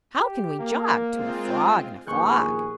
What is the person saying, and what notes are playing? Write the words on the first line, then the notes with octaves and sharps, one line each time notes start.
"How can we jog To a frog in a fog?"
G4
A#3
G#3 C4 F4
A#1 D#2 B3 G#4 C#6 F#6 G6